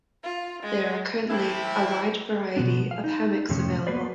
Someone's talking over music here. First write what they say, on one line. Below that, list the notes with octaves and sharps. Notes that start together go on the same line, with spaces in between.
There are currently a wide variety of hammocks available.
F4
G#3
A2 E3 C4 E4
B2 F3 B3 D4
F5
D#4
F2 A2 C3 F3 C4 C#4
A#3 B3 F#4 B4 C5 D5